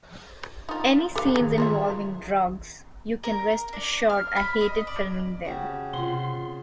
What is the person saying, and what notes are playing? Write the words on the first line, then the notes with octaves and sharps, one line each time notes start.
Any scenes involving drugs, you can rest assured I hated filming them.
D#4 F4
G4 A4 B4 F5
D#3 G#4 A#5
F4 C#5 E5
A#4
D4
F6
B5
D#5
D5
C#3 F#4 G4
C3 F4 F#5 C6